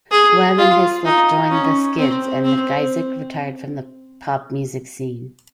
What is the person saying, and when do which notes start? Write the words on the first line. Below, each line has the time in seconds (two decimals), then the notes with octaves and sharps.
Webb and Hyslop joined The Skids, and McIsaac retired from the pop music scene.
0.11 G#4
0.58 F4
1.05 D#4
1.51 C#4
1.98 C4
2.45 C4